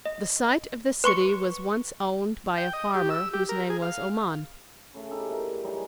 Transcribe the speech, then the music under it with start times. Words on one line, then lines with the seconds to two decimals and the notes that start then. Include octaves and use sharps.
The site of the city was once owned by a farmer whose name was Oman.
0.06 D#5
1.04 B4 C6 C#6 C#7
2.57 G5
2.73 D#5
2.95 G4
3.10 E6
3.33 G4
3.49 A#4
3.70 G#4
3.82 F5
4.94 C#3 A3
5.11 D#4 E4 G4 A4
5.29 A#4 D5 E5
5.63 F#3 G3 D#4 G#4